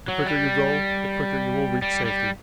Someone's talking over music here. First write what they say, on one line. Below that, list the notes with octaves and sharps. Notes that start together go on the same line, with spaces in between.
"The quicker you go, the quicker you will reach safety."
F#3
G3
G3
G3